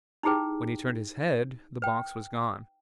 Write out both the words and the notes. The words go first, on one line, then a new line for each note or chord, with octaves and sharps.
When he turned his head, the box was gone.
D#4 E4 G4 G#4 B4 G5
B4 G5